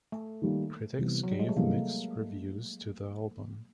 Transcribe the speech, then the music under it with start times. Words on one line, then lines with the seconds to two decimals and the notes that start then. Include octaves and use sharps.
Critics gave mixed reviews to the album.
0.12 A3
0.42 D#3 G3 A#3
0.99 C3 E3 G3 B3
1.23 F#3
1.32 G3
1.39 G#3
1.49 A3
1.56 C3 E3 G3 A#3 B3